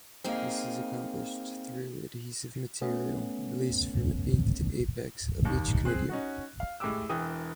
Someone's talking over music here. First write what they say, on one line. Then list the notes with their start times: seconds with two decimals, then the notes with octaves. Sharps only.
This is accomplished through adhesive material released from the beaked apex of each conidium.
0.24 A#3 C4 D#4 G#4 F5
2.81 A3 B3 C#4
5.45 D#2 D#3
5.85 C4 G#4 F#6
6.09 C#4 D#4 F#4
6.60 F5
6.80 A2 G#3 G4 D6 E6
7.09 E1 E3 G5 D#6